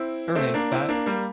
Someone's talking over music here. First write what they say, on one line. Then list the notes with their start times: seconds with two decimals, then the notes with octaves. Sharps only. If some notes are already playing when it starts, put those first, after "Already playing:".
Erase that.
Already playing: C4 E4
0.35 A3 C4
0.54 A#3 D4
0.72 C4 E4
0.89 A#3 D4
1.06 G3 A#3